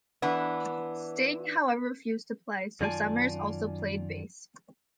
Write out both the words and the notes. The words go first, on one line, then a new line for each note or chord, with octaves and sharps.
Sting, however, refused to play so Summers also played bass.
E3 B3 D4
F#2 D#3 F4 D5 G#5 A5